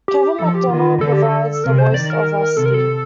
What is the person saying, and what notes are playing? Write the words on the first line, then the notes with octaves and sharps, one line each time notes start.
Kevin McDonald provides the voice of Rusty.
G4
F3 A4
G4
D#3 F4
D3 A4
G4
A4
C3 A#4
C5
D#3 D5
A#4
C3 A4
A#4
A4